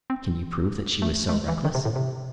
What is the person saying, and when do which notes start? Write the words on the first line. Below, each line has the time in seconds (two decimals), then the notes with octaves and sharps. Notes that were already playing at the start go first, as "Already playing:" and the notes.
"Can you prove that she was so reckless?"
0.10 C4
1.02 A3
1.29 A3
1.33 G#3
1.48 E3
1.65 D#3
1.75 C3
1.85 A2
1.96 C3